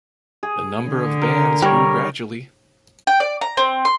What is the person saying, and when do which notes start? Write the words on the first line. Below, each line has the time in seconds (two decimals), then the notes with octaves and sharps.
The number of bands grew gradually.
0.43 G#4
0.89 D3
1.22 A#4
1.62 G3 A#4 C#5
3.07 G5
3.20 D5
3.41 A#5
3.57 C4
3.85 C6